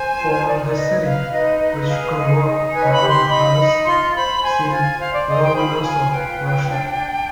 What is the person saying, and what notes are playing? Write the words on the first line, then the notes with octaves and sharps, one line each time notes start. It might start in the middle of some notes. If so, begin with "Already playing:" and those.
For the city which grew up around the palace see Lomonosov, Russia.
Already playing: C5 G#5
F4
D#4 D5
B4 D#5
B4 F5
D#4 D#5
B4 D#5
G#4 F5
D#4
D#4
B4 G#5
B5
G4
C6
D#4 B5
D#4
F4 C6
C5 B5
C5 G#5
F4 G#5
C5 F5
D5
G#4 D#5
G5
F4 B5
F4 G#5
B4 G5
F4
D4
D4